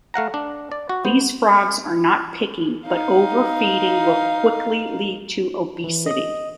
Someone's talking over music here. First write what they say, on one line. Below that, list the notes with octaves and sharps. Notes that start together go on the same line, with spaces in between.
These frogs are not picky but overfeeding will quickly lead to obesity.
A3 F5 F#5 A#5
D4
D5
F#4
B3 C5
D#4 F5
E3
D#5 D#6